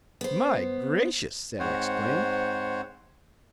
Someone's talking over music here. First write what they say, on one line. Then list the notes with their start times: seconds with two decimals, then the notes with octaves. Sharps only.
"My gracious!" Sam exclaimed.
0.21 B3 C5
1.59 G#2 C4 C5 C#5 F#5